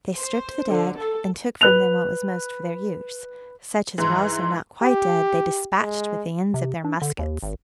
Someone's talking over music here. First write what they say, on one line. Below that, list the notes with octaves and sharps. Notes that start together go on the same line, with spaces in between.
They stripped the dead, and took from them what was most for their use; such as were also not quite dead they dispatched with the ends of their muskets.
C5
D3
A4
B4 F#6 F7
G#2 E3 C6
G4
G#3
C3
D4
D3
D#2
G#1